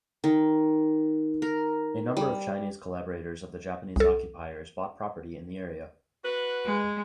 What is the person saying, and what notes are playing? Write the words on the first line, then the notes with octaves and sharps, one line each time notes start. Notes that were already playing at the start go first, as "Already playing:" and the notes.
A number of Chinese collaborators of the Japanese occupiers bought property in the area.
D#3
A#4
G3
C2 A4
F#4 B4
G#3